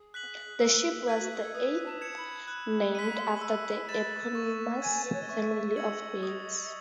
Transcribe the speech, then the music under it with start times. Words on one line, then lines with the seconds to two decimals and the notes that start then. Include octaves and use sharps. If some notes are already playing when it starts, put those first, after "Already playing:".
The ship was the eighth named after the eponymous family of birds.
Already playing: G#4
0.14 F#6 B6 F#7
0.60 E6
1.08 G#6 B6 D#7
1.19 F#4
1.31 G#4
1.42 A4
1.54 B4 D#6
1.86 A5
2.01 G#6 C#7 E7
2.17 B5
2.48 F#6
2.95 B6 D#7
3.41 E6
3.89 A6 E7
4.35 C#6
4.82 G#5 G#6 D#7
5.04 B4
5.13 C#5
5.21 D#5
5.29 E5 C#6
5.67 E5
5.76 D#5 E6 G#6 C#7 F#7
6.23 D#6